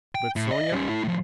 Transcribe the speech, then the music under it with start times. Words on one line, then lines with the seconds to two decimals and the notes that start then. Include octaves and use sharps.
But Sonya?
0.15 G5
0.36 A2
0.51 D5 D#5
0.72 G3 C#4
0.88 A3 E4
1.04 A2 F3